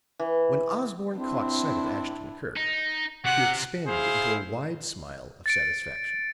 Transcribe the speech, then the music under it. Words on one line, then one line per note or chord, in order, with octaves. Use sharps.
When Osborne caught sight of Ashton-Kirk he expanded into a wide smile of satisfaction.
E3
C4 D4 E4
D#4
C3 F#5
E4 G#4 C5 F5
A6 C#7 D7